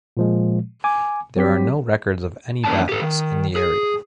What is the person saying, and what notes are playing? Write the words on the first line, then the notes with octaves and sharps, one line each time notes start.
There are no records of any battles in the area.
A#2 F3 G#3
G#5 D6
F#3 C4 G4 B6
F2 E3 A#3 C#4 D4 A5
G4 A4
D#3
G#4